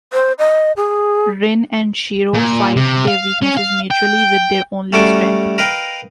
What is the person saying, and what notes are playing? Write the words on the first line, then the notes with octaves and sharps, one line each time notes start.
Rin and Shirō fight their weaknesses mutually, with their only strength.
C5
D#5
G#4
A#2
C3
F5
C#4
F5
G5
G3 A3 C#4 F#4 A4 D6
A#4 B4 D#5 F5 G5